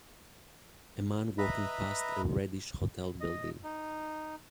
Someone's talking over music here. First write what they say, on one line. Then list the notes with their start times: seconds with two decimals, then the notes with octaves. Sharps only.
A man walking past a reddish hotel building.
1.38 B4 D#5 E5 A#5 B5
3.20 D#5
3.63 D#4